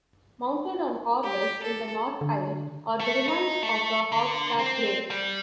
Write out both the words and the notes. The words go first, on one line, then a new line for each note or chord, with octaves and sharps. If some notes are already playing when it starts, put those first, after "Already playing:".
Mounted on corbels in the north aisle are the remains of a hogsback grave.
G4
A4
D3
A3
D#4
A3
D3
C4
G3